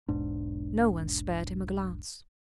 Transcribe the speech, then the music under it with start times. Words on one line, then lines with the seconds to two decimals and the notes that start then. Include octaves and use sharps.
No one spared him a glance.
0.08 E1 B1 G#2 D4